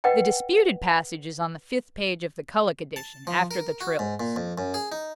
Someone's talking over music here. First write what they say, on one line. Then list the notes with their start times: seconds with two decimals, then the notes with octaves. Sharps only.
The disputed passage is on the fifth page of the Kullak edition, after the trills.
0.04 B4 D#5 F#5 G5
2.96 A5
3.27 F3
3.51 A#4
3.81 F#4
3.99 G#2
4.20 A#2
4.36 F2
4.58 F#2
4.74 G#4
4.92 D#4